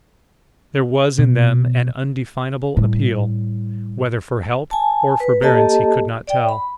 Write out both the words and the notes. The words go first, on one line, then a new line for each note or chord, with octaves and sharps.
There was in them an undefinable appeal, whether for help or forbearance he could not tell.
B2
A2 G3
G#5 A5
B4
A#3 G4 A4 D#5 A5
D5 G5
B5